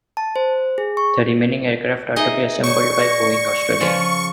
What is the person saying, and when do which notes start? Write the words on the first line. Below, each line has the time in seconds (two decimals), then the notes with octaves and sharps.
The remaining aircraft are to be assembled by Boeing Australia.
0.17 A5
0.36 C5
0.78 G#4
0.97 C#6
2.16 D#4 G#4 D#5 E5 G#5
2.63 C#5 D5 C#6
2.98 D5 A#6
3.80 C#3 F3 F4